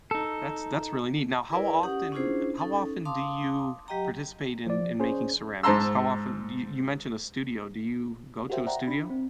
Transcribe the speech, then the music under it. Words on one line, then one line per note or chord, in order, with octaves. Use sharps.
That's that's really neat. Now, how often uh, how often do you participate in in making ceramics? How often do you you mentioned a studio. Do you go to a studio?
D#4 A4
E4 G#4 A#4 B4 D5
C#4 G4 F#5 D#6
C#4 D4 E4 F4 G#4 C5
C#4 D#4 A4
F5 A5 C6 D6 D#6
F#3 G4 D#5 G5 A#5
F3 D5
C#4 G#4 C5
G#2 C5 A5 A#5 C6 E6
F#4 G4 A#4 C5 E5 G5
C5 D5 E5 F#5 G5 A#5
D4 B5
C4